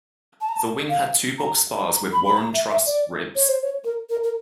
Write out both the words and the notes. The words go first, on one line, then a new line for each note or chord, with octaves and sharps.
The wing had two box spars with Warren truss ribs.
A5
A#5
A5
F5
A#5
A#5
B5
B5
A#5
E5
E5
D5
C#5
C5
C#5
A#4
A#4
A#4